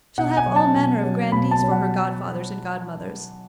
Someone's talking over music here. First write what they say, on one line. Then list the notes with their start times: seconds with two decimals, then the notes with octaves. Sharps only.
She'll have all manner of grandees for her godfathers and godmothers.
0.18 B2 F#5
0.37 G#5
0.46 F#3 C#4
0.56 A5
0.76 B2
1.03 F#3 C#4
1.32 B2 B5
1.51 A5
1.61 F#3 C#4
1.72 F#5